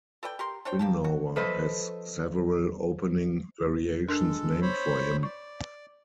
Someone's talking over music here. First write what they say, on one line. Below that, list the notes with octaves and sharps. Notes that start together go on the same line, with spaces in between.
Winawer has several opening variations named for him.
A4 B4 D5 G5
G4 A#4 C6
D4 C5 C#5 G5
A#3 G4 A5
F#4
F3 A4 B4 C5 D#5
G#3 D4 A4 A#4
C5 C#5 B5
D5 C#6